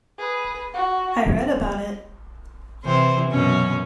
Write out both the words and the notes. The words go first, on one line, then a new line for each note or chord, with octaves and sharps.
I read about it.
G#4 B4
F#4
C3 E3 C5
F#2 B2 C#4